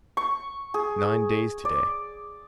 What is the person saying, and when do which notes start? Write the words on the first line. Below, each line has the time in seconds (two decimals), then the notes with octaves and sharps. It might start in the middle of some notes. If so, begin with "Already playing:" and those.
It's nine days today.
0.17 C#6
0.74 G#4
1.65 D5